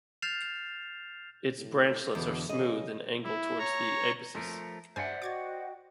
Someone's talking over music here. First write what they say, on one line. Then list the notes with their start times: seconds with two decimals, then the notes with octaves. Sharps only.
Its branchlets are smooth and angle towards the apices.
0.22 F6 G6 A6 C7 E7 F7
1.57 A2
2.15 E2 B2 D3
2.49 C#3 D#5
3.23 E4
3.59 C#5 A#5
4.35 F2 F3 A3 A#4
4.96 G2 C5 D5 E5 F#5 G#5
5.22 F#4 D#5 G5 D6 G#6 A6